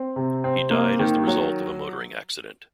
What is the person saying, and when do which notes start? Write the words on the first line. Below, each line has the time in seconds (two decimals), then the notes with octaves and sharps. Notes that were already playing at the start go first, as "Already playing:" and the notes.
He died as the result of a motoring accident.
Already playing: C4
0.16 C3
0.44 C4
0.71 A#3
0.99 D#3
1.27 F#3